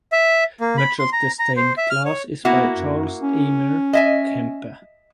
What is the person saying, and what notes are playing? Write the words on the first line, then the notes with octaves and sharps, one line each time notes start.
Much of the stained glass is by Charles Eamer Kempe.
E5
A#3
B5
C6
A#5
A#5
C5
E5
F6
C#5
A#3 B3 E4 F#4
F#2
C#4
D#5 E5 G#5